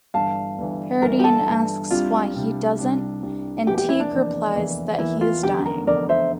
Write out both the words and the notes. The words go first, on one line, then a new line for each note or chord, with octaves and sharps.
Paradine asks why he doesn't, and Teague replies that he is dying.
G1 G2 E3 F5 A5
G1 G2 E3
G1 G2 E3 A#4
G4
A4
G1 G2 E3
C2 C3 G3 D4 F4
C2 C3 G3 D4
C2 C3 G3 D4
C2 C3 G3 D4
F1 E2 E3 A#3 G4
G4
E4
D4
F1 E2 E3 A#3
F1 E2 E3 A#3
F1 E2 E3 A#3 E4
F4
F1 E2 D3 G4
A#4
F1 E2 D3 A#4 D5
C5 E5